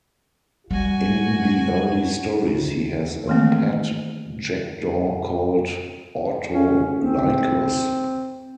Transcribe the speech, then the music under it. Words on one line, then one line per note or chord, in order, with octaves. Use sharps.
In the early stories he has a pet jackdaw called Autolycus.
G3 F#4 G#5
D#3 E3 A3 A#3 C4
C#4
C4